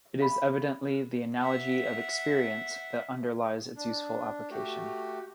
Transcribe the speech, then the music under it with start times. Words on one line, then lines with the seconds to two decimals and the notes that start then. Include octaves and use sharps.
It is evidently the "analogy of experience" that underlies its useful application.
0.20 F5 B5
1.41 E5 F#5
3.76 D4
4.51 A3 F#4 G4